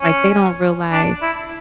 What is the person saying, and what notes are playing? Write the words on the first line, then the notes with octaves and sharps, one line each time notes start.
Like, they don't realize
C#4
D4
E4